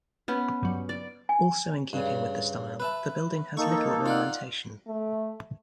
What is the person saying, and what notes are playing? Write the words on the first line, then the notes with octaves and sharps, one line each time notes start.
Also in keeping with the style, the building has little ornamentation.
B3 C#4
G2 F#3
D5
G#5
G2 C#3
B4 E5 A5
A#3 D#4 A4 C#6
F4 D5 F#5
A3